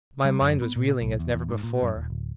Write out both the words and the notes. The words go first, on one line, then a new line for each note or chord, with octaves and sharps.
My mind was reeling as never before!
G3
F#2
B3
A#2
B1
E2
E2
G#2
A#2
F#2
D#1
D1